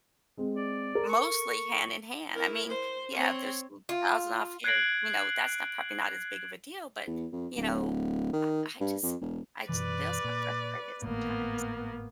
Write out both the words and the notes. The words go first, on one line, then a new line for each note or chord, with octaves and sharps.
mostly hand in hand. I mean, yeah, there's a thousand off here, you know, that's not probably not as big of a deal, but you know, I I just I just feel so frustrated sometimes.
G#3 C4
D5
A4 A#4
C#6
E4 A#4
C5
C4 C#5
F4
F#6 G#6 C7 D7 F#7
E2
F2
D1
D#3
G2
F2
E1
F#2 B2 E3 B4 D5
A#2
G#1 A2 A#3 B3